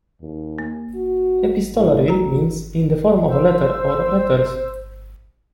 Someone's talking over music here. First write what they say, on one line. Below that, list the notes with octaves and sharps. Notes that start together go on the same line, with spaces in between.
"Epistolary" means "in the form of a letter or letters".
D#2
A#3
F#4
A2
D2 F#4 A#5
C5 E6